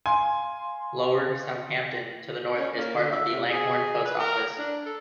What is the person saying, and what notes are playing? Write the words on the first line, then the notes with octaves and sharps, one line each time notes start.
Lower Southampton to the north is part of the Langhorne Post Office.
F5 G#5 C6
C#4
A#3
D3
E5
C3
G#4
B4
A#4
D4
A4